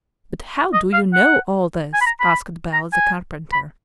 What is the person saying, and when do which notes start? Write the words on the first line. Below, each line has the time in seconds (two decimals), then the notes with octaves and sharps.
"But how do you know all this?" asked Bell, the carpenter.
0.73 D#5
0.93 F5
1.13 F#5
1.93 G#5
2.01 B5
2.06 A#5
2.20 B5
2.73 A#5
2.93 G#5
3.53 B5